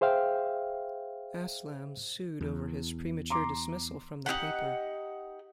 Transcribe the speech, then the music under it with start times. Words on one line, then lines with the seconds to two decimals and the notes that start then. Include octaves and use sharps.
Aslam sued over his premature dismissal from the paper.
0.01 G#4 C5 E5 F5 G5
2.41 E2
3.30 A#5 C6 D6
4.26 D#4 E4 G4 F#5